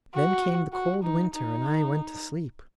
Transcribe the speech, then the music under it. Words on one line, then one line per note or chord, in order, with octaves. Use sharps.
Then came the cold winter, and I went to sleep.
F#4
F#4
D#4
D#4